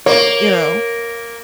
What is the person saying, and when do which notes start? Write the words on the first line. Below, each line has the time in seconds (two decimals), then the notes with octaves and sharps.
You know.
0.06 A#3 C#5